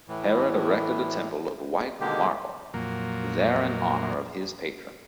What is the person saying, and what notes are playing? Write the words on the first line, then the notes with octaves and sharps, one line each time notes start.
Herod erected a temple of 'white marble' there n honour of his patron.
A2 E3
B2 D3 G#3 A#3 G4
F2 A#2 F#3 A#3